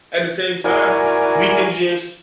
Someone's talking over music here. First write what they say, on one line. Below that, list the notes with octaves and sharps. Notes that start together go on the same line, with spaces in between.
at the same time, we can just,
E4 F#4 A#4 D5 G#5